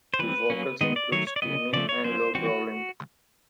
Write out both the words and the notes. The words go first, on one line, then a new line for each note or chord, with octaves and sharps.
The vocals include screaming and low growling.
C5
E3 G3 C4 B4
F#3 A#3 C#4
D#3 G#3 B3 D#5
D5
D#3 F#3 A3 C#5
C#5
D5
C#3 F#3 B3 D#5
C#3 F3 A3 D5
C#5
F#3 A#3 C#4 C5
E3 G3 C4 F#4